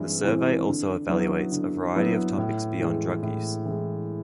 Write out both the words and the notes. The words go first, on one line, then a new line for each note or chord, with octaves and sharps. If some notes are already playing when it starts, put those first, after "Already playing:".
The survey also evaluates a variety of topics beyond drug use.
Already playing: G2 E3 G#3 C4 E4
E3 G#3 C4 E4
D3
F#3 B3 E4
D3
F#3 B3 E4
A2
E3 G#3
A2
E3 G#3